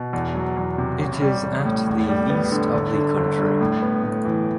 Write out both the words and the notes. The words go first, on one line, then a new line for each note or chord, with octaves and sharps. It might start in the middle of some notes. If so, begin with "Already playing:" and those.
It is at the east of the country.
Already playing: B2
E2
F#3
E2
C3
A1
G3
A1
A2
E2
G3
B3
D3
G1
D3
G1
G2
A2
B3
A2
E3